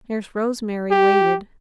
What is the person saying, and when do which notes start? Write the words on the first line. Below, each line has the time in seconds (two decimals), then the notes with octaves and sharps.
Nurse Rosemary waited.
0.91 G4